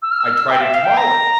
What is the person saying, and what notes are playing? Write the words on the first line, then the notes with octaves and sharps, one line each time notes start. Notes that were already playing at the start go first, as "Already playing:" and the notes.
I tried a tamale,
E6
F6
E6
F6
E6
G5
E5
F5
G5
A#5